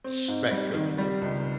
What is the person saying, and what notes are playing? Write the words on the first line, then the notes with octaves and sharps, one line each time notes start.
sh spectrum here, if you will,
C4
G#2
G3
D#3
G3
C#2